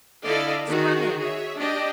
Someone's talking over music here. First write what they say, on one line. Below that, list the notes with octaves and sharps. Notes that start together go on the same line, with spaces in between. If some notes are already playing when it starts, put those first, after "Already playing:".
Scrum in.
D3 E4 A4 D5 D#5 F5
D#3 F#4 G#4
G#4 C#5 E5
D4 G4 D5 D#5